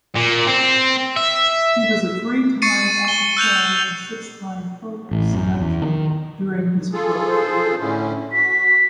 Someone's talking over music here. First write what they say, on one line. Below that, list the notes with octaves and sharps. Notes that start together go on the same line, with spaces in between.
He was a three-time All-Pro and six-time Pro Bowl selection during his pro career.
A#2
C4
E5
C#6 A6 C7 C#7 D#7
C#6 G7
E6 F#6 G6 F7
A1
F#2
E2
D#3
F4 G#4 A4
C5
A2 D3 C#4 E4
F#4 B6